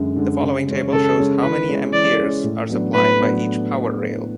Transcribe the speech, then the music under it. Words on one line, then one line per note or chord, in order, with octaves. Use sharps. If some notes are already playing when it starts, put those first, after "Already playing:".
The following table shows how many amperes are supplied by each power rail.
Already playing: F#2 D3 G#3
D3 G#3
C#3
G#3 C#4
C#3 A4
G#3 C#4
E3 B4
G#3 C#4
E3 D5
G#3 C#4
A2
F#3 B3 D4
A2 B4
F#3 B3 D4